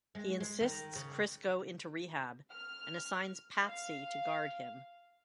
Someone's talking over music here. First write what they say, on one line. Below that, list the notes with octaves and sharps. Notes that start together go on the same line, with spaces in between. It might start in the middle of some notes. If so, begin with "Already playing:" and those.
He insists Chris go into rehab and assigns Patsy to guard him.
G#3
G#3
D#3
C#3
F6
F5